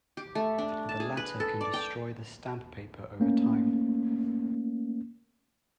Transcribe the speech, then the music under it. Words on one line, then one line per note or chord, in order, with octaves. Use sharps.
The latter can destroy the stamp paper over time.
G4
A3
D4
A5
G#4
B4
A4
D5
G5
A3 A#3 C#4